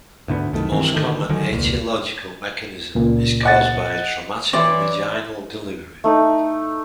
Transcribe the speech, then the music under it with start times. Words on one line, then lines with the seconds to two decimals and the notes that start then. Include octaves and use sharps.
The most common aetiological mechanism is caused by a traumatic vaginal delivery.
0.28 D2 G#2 D3 B3
0.52 C2 F#2 D#3 A3
0.72 G2 D#3 E3 C4
0.94 G#1 D3 D#3 A3
1.29 D3 D#3 F#3 G#3
1.51 E1 C#2 A#2
2.95 C#2 A#2
3.43 D#5 F#5 A6
4.53 E3 C#5 D5 E5 C6
6.04 A3 D#4